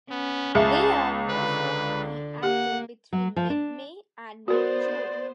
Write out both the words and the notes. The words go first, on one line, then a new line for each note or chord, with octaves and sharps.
They are most vocally active between mid-May and mid-June.
B3 C#4
C#2 G#4 E5 A5
D3 B4
A#3 G4 F#5
F#3
F3
D4
B3 F#4 A#4 C5 D5